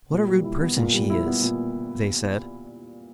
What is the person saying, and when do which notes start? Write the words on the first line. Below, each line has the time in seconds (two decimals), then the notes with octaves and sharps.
"What a rude person she is!" they said.
0.11 A#2
0.27 G3
0.44 E4
0.60 B3
0.77 A#2
0.93 G3
1.10 E4
1.26 B3
1.42 A#2